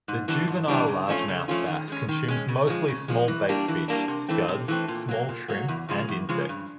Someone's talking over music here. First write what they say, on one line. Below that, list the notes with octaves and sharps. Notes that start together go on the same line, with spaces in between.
The juvenile largemouth bass consumes mostly small bait fish, scuds, small shrimp, and insects.
G#2
E3 G3 B3 D4
G#2
E3 G3 B3 D4
C#3
F3 A3 C#4 F4
C#3
F3 A3 C#4 F4
D#3
G#3 C#4
D#3
G#3 C#4
C#3
F3 G#3
C#3
F3 G#3
E3
G3 A#3 D4
E3
G3 A#3 D4
C3
E3 A3 C4
C3
E3 A3 C4
A#2
F#3 A#3
A#2
F#3 A#3
E2
C#3 F3 G#3
E2
C#3 F3 G#3
G2